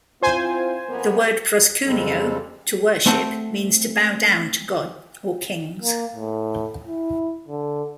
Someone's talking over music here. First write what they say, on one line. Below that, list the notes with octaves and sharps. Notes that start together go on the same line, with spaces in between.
The word "proskuneo" "to worship" means to bow down to God or kings.
C4 E4 F4 C5 G#5
F2 A#3 B3
F2 C#3 G3 G#3 C4 A4
A3 C4 F#5 A5
A#3
A2
E4
D3